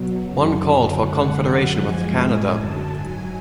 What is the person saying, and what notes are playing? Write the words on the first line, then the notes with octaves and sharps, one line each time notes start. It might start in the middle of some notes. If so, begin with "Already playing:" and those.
One called for Confederation with Canada.
Already playing: B2 F#3
F#2 C#3 F#3
F#2 D3 F#3
F#2 D3 G#3 F#5
F#2 D3 F#3
F#2 F3 G#3 G#5
A2 G#3
F#2 D3 F#3 A5
G#2 F#3 G#5